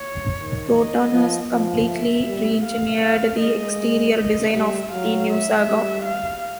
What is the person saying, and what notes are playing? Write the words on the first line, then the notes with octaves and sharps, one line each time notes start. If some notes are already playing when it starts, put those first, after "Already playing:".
Proton has completely re-engineered the exterior design of the new Saga.
Already playing: C#5
D#3
D#5
F3
F3
E5
G3
F5
F5
G#3 D#5
D#5
G3 E5
F#3 F5
E5
G3
F5